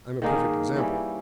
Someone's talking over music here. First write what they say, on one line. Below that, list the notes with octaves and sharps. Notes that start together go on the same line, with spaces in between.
I'm a perfect example.
D#3 A#3 D#4 G#4
E3 G3 C#4 E4